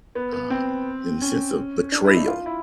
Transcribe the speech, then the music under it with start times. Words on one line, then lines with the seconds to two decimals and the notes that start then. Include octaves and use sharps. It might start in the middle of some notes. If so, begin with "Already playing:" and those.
um, in a sense of betrayal,
0.15 B3
0.33 B3
0.50 C4
1.22 C#4
1.92 D4
2.05 E4
2.16 D#4
2.28 F4
2.46 E4